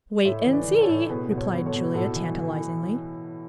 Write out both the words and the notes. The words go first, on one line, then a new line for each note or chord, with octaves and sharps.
"Wait and see," replied Julia tantalizingly.
A2 C#5 E5
E3
B4 D5
E3
A4 C#5
A2
B2 G#4 B4
B2
A4 C#5
B2
A4 C#5
B2
A2 F#4 A4
E3
E3